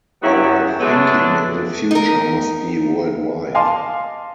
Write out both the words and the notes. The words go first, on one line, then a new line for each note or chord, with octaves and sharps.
Our thinking in the future must be world-wide.
C#3 F#3 B3 E4 G4
F#3 G#3 A3 B3 D4
D#4 A#4
D#5 F5 G#5 A5 C6 D6